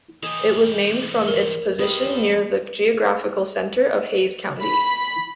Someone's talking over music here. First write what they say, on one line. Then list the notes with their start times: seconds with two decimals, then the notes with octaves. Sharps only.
It was named from its position near the geographical center of Hayes County.
0.23 E3 G4 D#5 G#5
1.28 A#4
1.79 F2 F3 G4 B4 D#5
2.05 D4
4.62 B5